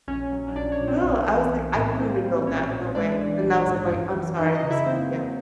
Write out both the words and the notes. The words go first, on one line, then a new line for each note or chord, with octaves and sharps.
But still, I was like, "I couldn't rebuild that. No way." And I was like going, "I'm sorry. This is" Yeah.
A#1 C#4 C#5
F#3
A#1 D4 D5
C#4 C#5
A#2
C4 C5
B1
E3
B1
A2
A#3 C4 C5
G3
A#1 C#4 C#5
A#2
G#3 D4 D5
E3
A#1
G#2
F#2
E3
F#2 D#4 D#5
D#4 D#5
C#3
E4 E5
A#3 C4 C5
F#3